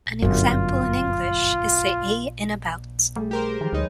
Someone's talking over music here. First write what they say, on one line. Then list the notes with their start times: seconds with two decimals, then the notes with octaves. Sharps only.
An example in English is the "a" in "about".
0.22 G1 F#2 F4
3.16 G3 A3 G#4
3.31 G4 A#4 C5
3.61 D#3 F3 G3
3.73 D2 G#3 D#4 B4 C#5